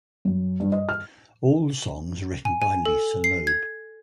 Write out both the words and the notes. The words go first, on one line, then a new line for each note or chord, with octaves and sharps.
All songs written by Lisa Loeb.
F#2
G2
D#5
F6
G#5
G#5
A4
C7
G#6